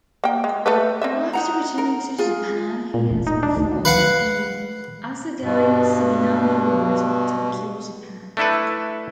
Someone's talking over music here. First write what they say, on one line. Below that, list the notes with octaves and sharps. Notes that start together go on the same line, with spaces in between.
After returning to Japan, he has performed in Asagaya Suginami word, Tokyo Japan.
A#3 G5
G#3
A3 A4 B4
C4 C#4 E5
D#4 F#5 A#5
A#4
F4 G#4
A#2
E1
D#4
D4
D2
B4 F5 F#5
G2 B2
A3 D4 E4 A4 B4